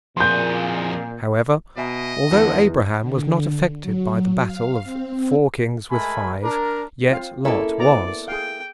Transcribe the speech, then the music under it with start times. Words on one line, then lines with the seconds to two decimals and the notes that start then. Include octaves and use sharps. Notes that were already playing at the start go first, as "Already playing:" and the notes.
However, although Abraham was not affected by the battle of "four kings with five," yet Lot was.
0.17 F2 A#2 G#4 C6 G6
1.77 B2 D#5 E5 G#5 A#5
2.31 E2 D3
2.99 D3
3.82 F#3
4.45 F5
4.83 C4
5.90 G#3 A3 A#4 G#5 A5 B5
6.43 D4 A#4
7.10 C4 F4 F5
7.45 A#3 C#4 E4 G#4 A4
7.79 B3 D5 A#5
8.28 G#4 F5 G5